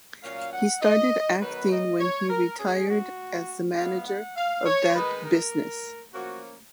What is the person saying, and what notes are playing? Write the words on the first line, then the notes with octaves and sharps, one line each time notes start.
He started acting when he retired as the manager of that business.
A#2 F#3 C#4 F5
F#5
D#5
D#3 F#3 B3 D#4 B4
D#5
C#5
A#4
B2 G#3 C#4 G#4
F#4
F3 G#3 B3 F5
F#5
F5
C#5
D#3 G#3 D#4 B4
A#4
F3 A#3 C#4 F#4